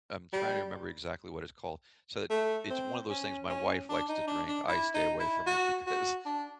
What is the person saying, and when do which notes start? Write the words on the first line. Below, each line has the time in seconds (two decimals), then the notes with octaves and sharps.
I'm trying to remember exactly what it's called. So it it's one of those things my wife likes to drink. I stay away from it because,
0.33 G3
2.30 A3
2.70 C4
3.10 C#4
3.49 C#4
3.89 D4
4.09 D#4
4.27 D4
4.48 D4
4.68 E4
4.94 D#4
5.20 E4
5.47 F#4
5.87 F#4
6.26 D4